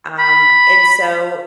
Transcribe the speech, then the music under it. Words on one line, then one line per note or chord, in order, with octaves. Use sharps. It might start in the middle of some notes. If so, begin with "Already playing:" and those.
Um, and so
B5